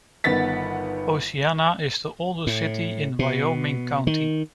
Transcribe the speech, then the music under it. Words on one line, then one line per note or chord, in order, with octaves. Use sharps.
Oceana is the oldest city in Wyoming County.
G1 D#3 B3 F#5 A6 B6
A2
B2
D#3